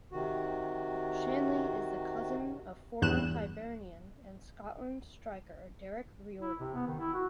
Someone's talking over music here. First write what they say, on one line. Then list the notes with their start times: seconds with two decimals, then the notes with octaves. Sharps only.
Shanley is the cousin of former Hibernian and Scotland striker Derek Riordan.
0.12 C3 D#3 F#4
3.02 E2 G2 F#6 E7
6.41 E4
6.60 C3
6.74 B3
6.87 D#3
6.99 E4
7.13 F#4